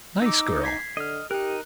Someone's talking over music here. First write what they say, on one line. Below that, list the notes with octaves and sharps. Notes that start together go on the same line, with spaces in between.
Nice girl!
D#4 D6 E6
G#6 B6 C7
D3 D#5 F6
D#4 G4 A#4 F#6